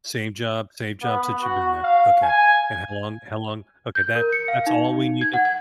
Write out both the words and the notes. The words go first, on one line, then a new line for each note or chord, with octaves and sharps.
Same job same job since you've been there. Okay. And how long how long, okay. That that's all we need t
B3
F#4
F5
G#5
G6
A#4
C#7
F5
D#4
G#6
F#5
G#6